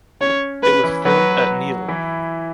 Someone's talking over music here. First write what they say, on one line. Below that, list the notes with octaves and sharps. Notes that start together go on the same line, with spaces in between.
It was filmed at Niles.
C#4 C#5
C#4 B4
E3 E4
F#3 F#4 B4
E3 E4